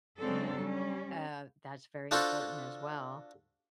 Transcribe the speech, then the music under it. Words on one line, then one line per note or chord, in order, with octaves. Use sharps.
Uh, that's very important as well.
C#3 F#3 G#3 C4 D4 A4
G3 C#4
D4 F4 F#4 A4 C5